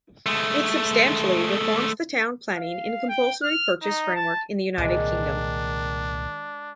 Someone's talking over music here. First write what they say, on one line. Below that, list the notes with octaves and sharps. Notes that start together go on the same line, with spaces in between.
It substantially reforms the town planning and compulsory purchase framework in the United Kingdom.
G#3 A3
F5
G5
F6
D#4
A5
C2 A#2 D#3 G#3 D4